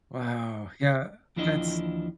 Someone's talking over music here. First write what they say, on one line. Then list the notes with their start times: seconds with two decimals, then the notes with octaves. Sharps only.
Wow, yeah, that's
1.36 D#2 E3 F3 D4 E4 D#5